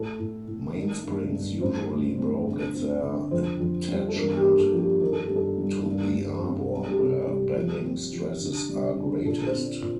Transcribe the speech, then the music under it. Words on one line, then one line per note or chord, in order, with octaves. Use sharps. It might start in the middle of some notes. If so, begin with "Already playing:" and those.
Mainsprings usually broke at their attachment to the arbor, where bending stresses are greatest.
Already playing: A2 A4
A2
A2
D#3
G2
G2
A2 C5
A3
C4
D3
C4
D3
F2 C5
F2
G3
A4
G2 A#4
G4
A#3
A4
F3
G4
D#3 A#4
A4
G4
G2
A4
G3
G2
G2
C4
G3
G4
C3 A4
G3 G4
F3
C4
F3
D3
G3
D3
A#2 A4
C5
C4
A#2